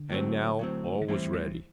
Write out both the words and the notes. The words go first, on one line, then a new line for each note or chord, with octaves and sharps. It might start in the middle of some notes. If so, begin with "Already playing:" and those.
And now all was ready.
Already playing: D3
A2 F#3 C4
A2 F#3 C4
D3
A2 E3 G3 C4 E4
E3